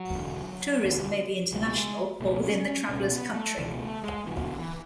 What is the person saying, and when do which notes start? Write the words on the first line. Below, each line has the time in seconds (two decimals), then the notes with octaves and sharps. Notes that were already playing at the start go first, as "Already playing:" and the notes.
Tourism may be international, or within the traveller's country.
Already playing: F#3
0.15 E1 D2 D3
0.84 E1 D2 D3
1.52 C#2 B2 G#3
2.20 C#2 B2 A3
2.44 C#4
2.66 C#4
2.88 C#2 B2 C#4
3.11 B3
3.34 A3
3.58 C#2 B2 E3
3.80 A3
4.03 G#3
4.26 B1 B2 E3
4.43 D3
4.59 E3